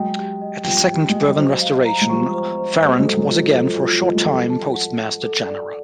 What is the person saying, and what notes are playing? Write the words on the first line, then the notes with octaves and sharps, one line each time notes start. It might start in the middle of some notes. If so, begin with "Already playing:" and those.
At the second Bourbon restoration Ferrand was again for a short time postmaster general.
Already playing: F#3 G#3 G5
G4
D#5
F3 G3 G5
G4
G#3 D#5
G3
F#3 C5
F5
A#5
G#3
F3 G3 C#6
C5
C5
G3 A3 D#5
F#3 G#3
A4
F#3 G#3
F4
F#3
F3 A4
F#3 F4
F3 G3 D#5
G#3
F3 G3 A4
A5
F#5
A5
A4
D5